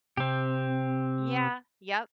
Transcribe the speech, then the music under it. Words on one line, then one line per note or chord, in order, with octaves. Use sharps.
Yeah, yep.
C3 C4 G4